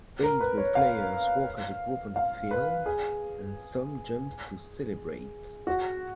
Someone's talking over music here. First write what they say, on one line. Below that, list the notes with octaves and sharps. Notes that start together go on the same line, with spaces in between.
Baseball players walk as a group on the field, and some jump to celebrate.
A#4
B4
C#5
F5
F5
B4
G#4
F#4